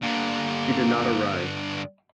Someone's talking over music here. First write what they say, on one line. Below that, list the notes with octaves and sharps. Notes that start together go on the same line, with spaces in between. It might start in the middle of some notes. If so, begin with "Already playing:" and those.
She did not arrive.
G2 D3 A#3